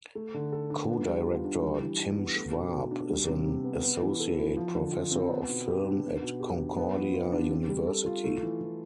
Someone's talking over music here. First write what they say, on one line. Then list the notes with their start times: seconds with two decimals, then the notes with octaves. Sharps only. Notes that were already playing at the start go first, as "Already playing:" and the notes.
Co-director Tim Schwab is an Associate Professor of film at Concordia University.
0.15 A3
0.34 D3
0.52 A4
0.70 D4
0.89 B3
1.07 G3
1.26 F4
1.44 D4
1.63 G3
1.81 E3
1.99 D4
2.17 B3
2.36 A3
2.55 B2
2.73 B2
2.91 D4
3.09 G3
3.27 C3
3.46 C3
3.64 B3
3.83 B3
4.02 E3
4.20 A4
4.38 E4
4.57 F3
4.75 D3
4.93 F4
5.11 C4
5.31 B3
5.49 B2
5.67 G4
5.85 D4
6.04 B3
6.22 B2
6.40 G4
6.59 D4
6.77 B3
6.96 F3
7.14 F4
7.32 D4
7.50 C4
7.69 G3
7.87 A4
8.06 F4
8.24 A3
8.43 E3
8.61 E3